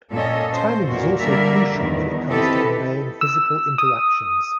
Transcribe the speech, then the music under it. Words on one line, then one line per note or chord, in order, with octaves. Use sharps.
Timing is also crucial when it comes to conveying physical interactions.
A#2 C#4 A4 D#5
C5
E2 A#2 F#4 A#4
D3 G3 A#3 A#4 D5 E5
E2 D#3
C4 E4 G4 A4 B4 D#5
E6
D#6